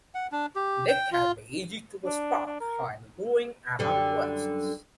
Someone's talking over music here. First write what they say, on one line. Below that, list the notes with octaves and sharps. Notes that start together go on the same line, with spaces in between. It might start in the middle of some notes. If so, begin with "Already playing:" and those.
They can be easy to spot when growing among grasses.
F#5
D4
G4
G5
F4
D4
D4
A#4
F#2 D3 G3